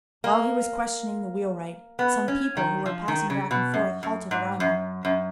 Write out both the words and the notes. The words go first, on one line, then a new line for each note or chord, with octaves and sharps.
While he was questioning the wheelwright, some people who were passing back and forth halted around them.
A#3
B3
C#4
D#3
F3
D#3
C#3
B2
F#2
F#2
G#2
F#2
F#2